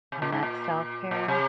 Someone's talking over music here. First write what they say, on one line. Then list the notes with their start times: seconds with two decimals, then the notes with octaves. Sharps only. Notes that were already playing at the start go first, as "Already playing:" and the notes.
and that's self-care,
0.12 C3
0.22 A#2
0.32 G#2
0.43 A#2
1.11 A#2
1.28 C3